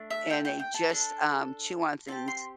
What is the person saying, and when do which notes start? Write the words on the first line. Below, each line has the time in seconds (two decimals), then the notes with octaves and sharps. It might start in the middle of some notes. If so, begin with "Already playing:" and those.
and they just, um, chew on things,
Already playing: A3 D4
0.10 E5
0.30 G5
0.45 G5
0.59 G5
0.74 A5
0.89 D4 A4
2.08 C4 G4 A5
2.28 C6